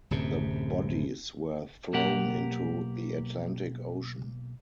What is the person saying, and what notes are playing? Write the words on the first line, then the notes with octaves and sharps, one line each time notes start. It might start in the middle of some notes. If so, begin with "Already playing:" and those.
Their bodies were thrown into the Atlantic Ocean.
D1 F#2 C3
B1 A#3 G4 A#4 F#5